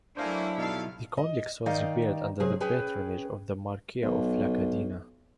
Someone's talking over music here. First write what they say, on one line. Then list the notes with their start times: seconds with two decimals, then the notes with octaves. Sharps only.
The complex was repaired under the patronage of the Marquis of La Cadena.
0.17 F#3 A3 A#3 D4 E4 C5 F5 G#5
0.58 G2 B2 D#4 A4 F5
1.17 D#5
1.66 D#3 D#4 D5 D#5 F5
2.40 C3 F#3 G#4
2.60 C#4 G#4 B4 G5
4.02 B1